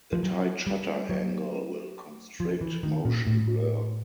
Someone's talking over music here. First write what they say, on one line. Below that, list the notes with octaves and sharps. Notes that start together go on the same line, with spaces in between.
A tight shutter angle will constrict motion blur.
F3
F#3
G3
F#3
F3
E3
D#3
A#2
A2